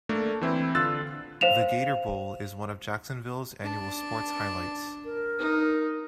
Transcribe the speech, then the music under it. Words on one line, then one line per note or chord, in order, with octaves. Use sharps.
The Gator Bowl is one of Jacksonville's annual sports highlights.
A3 A#3 D4
E3 C4 E4
D3 F4 E6 F#6 A6
C5 F5 E7 F7
D4 A5
A#4
D#4